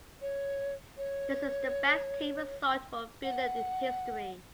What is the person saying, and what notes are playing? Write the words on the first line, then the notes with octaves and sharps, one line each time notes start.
This is the best team result for Finland in history.
C#5
C#5
F#5